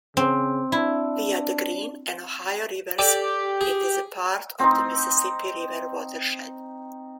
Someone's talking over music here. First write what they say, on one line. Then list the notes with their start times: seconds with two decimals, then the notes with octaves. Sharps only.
Via the Green and Ohio rivers, it is part of the Mississippi River watershed.
0.17 C#3 C4
0.72 D4 E4
2.99 G4 A4 D5
3.61 G#4
4.59 C4 D#4